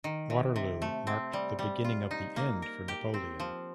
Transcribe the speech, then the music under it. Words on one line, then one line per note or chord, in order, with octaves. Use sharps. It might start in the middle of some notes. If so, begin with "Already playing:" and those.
Waterloo marked the beginning of the end for Napoleon.
D#3
C3
C3
A3
C4
G3
G3
F4
D#4
A#3
A#4
G4
C4
F3